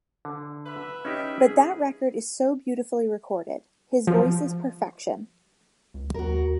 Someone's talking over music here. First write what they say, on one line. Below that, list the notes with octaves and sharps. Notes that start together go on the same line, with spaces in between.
But that record is so beautifully recorded; his voice is perfection.
D3
B4 E5
C#4 D#4 G4
G#4
F3
C#2
D#2 F#4 A#4